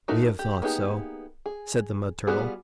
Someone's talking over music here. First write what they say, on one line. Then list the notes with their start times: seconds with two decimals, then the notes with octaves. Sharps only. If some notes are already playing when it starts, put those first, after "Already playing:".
"We have thought so," said the Mud Turtle.
0.08 A3 D#4 F#4 A#4
0.39 G4
0.62 A#3 B3 D#4 G4 G#4
1.46 G#4
2.27 G3 B3 F4 F#4 G#4